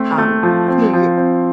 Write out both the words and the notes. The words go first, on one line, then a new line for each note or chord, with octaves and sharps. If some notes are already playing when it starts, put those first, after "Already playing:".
um, you you
Already playing: A3 C4
A3
F3
C4
F3
C4